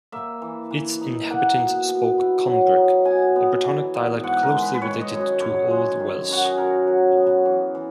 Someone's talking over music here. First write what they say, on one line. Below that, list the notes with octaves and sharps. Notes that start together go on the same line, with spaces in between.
Its inhabitants spoke Cumbric, a Brittonic dialect closely related to Old Welsh.
A#3 E5
E3
E3
D#4
A#3 F#5
B2
B2
E4
F#3
D#4
B2 G#5
B3
E3
B3
G#2 F#5
A#4
G#3
B4
B4
D#3 C#5
D#5
F#2
D#5
F#2 C#5
G#3
D#3
F#2 F#4
G#4
F#2 A#4
F#3
B3
E3
E3